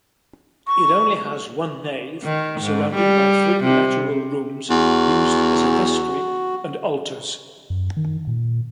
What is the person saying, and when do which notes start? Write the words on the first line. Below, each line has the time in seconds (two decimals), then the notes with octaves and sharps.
It only has one nave, surrounded by three lateral rooms used as a vestry and altars.
0.67 C#6
2.24 D#3
2.61 G#2
2.96 G3
3.64 C3
4.70 E2 F#4
7.70 F#2
7.97 D#3
8.27 A#2